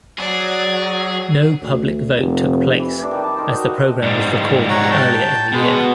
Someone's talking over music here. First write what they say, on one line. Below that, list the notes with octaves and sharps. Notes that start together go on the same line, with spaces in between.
No public vote took place, as the programme was recorded earlier in the year.
F#3 G#4 D5
D2
F1
E3
E3 D4
D#3 G3
A5
D#4 A#4 C5
F#4
G#2 G3
C#5 F#5 A#5
G5 A5
B2 G#3 B4